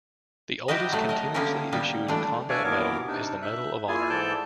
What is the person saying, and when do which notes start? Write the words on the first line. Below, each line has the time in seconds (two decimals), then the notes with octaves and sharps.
The oldest continuously issued combat medal is the Medal of Honor.
0.68 E4 F#4 G4 A#4 B4 D#5
0.92 F#3 A3
1.09 A#4 D#5
1.34 D3 G3 A#3 B3 C#4 A#4
1.72 G3 A#3 B3
2.08 E3 A3 D4
2.49 D4 C#5 D5 E5 F5 G#5
2.64 D#2 B2 E3 B3 A#4 D6
3.08 C3 D4 D#4
3.42 E5 F#6
3.88 A#3 E4 F4 G#4 G#5
4.10 G#2 E3 A4 D5 A5 G6